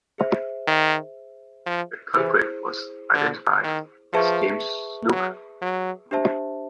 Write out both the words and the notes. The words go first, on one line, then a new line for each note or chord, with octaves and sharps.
The culprit was identified as James Snook.
G#4 C5 E5
D#3
F3
E3 E4 G#4 C5
D3
D#3
F3 G#4 B4 E5 A5 C#6
F#3
F#3
D4 G4 C5 E5 A5